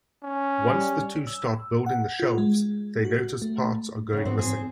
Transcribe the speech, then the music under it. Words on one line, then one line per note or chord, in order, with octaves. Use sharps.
Once the two start building the shelves, they notice parts are going missing.
C#4
G3
E6
F#5
F4
G#3
F#4
A3
A2 C#3
G#2 B3 C4
C4 G#4